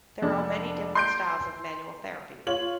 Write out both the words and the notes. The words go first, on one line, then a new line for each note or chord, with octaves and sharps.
There are many different styles of manual therapy.
F1 D4
C6 G6 D7
F4 C#5 F#7